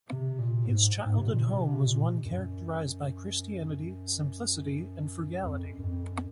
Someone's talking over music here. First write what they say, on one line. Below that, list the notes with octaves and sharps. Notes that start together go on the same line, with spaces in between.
His childhood home was one characterized by Christianity, simplicity and frugality.
C3
A#2
G#2
G#2
C3
A#2
C3
C3
A#2
F#2
F2
F#2
F#2
F2
F#2